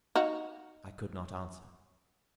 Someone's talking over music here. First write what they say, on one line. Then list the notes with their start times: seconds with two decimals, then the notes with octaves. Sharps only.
I could not answer.
0.15 D#4 F#4 F5